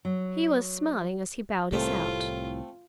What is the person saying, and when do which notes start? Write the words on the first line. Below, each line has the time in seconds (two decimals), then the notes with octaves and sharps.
He was smiling as he bowed us out.
0.05 F#3
1.72 C2 A2 A3 C4 F4